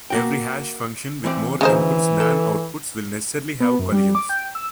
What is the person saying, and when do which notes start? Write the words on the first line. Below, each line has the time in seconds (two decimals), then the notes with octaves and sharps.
Every hash function with more inputs than outputs will necessarily have collisions.
0.10 A#3 F#4 G5
1.24 E3 C4 D5
1.61 D2 C#3 E3 D#4 C5
2.20 A4
3.60 B3
3.79 F#2
3.92 G3
4.15 D6
4.29 G5
4.55 E6